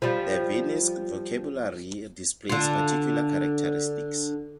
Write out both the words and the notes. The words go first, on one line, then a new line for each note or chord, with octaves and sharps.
The Viennese vocabulary displays particular characteristics.
F3 G3
D3 F4